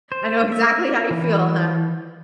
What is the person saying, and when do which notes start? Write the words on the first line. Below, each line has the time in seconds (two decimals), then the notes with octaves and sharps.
I know exactly how you feel on that.
0.12 C5
0.52 E5
1.11 E3